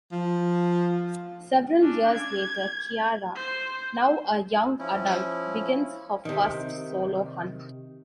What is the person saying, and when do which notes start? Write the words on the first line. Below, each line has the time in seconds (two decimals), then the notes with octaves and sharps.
Several years later, Kiara, now a young adult, begins her first solo hunt.
0.12 F3
1.80 C#4 D4
2.14 G#6
3.35 C5
4.79 F3 C#4 E4
6.25 C3 D#3